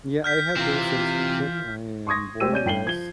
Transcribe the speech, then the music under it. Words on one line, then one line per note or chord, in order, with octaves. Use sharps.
Yeah, I have dual citizenship. I am born U.S,
F6 G6 B6
C3 E3 C4 F4
C6 C#6 D#6 G#6 A#6
G#3 A3 G4 C5 E6 D#7
C#4 D5 G6 D#7
G2 G5 C7 F#7 G7
F3 G#6 G7